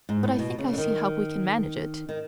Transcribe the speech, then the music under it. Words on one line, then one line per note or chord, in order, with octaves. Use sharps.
But I think I see how we can manage it.
G#2
A2
B2
C#3
D3
D#3
D#3